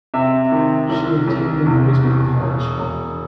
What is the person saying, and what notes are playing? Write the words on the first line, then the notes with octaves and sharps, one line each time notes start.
She attended Rosebank College.
C3 E5
D#3
C2
C2
E2
B2
E1
E1